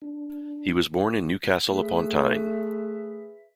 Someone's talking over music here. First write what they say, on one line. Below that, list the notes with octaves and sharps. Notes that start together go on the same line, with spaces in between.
He was born in Newcastle-Upon-Tyne.
D4
A3 G#4 B4 E5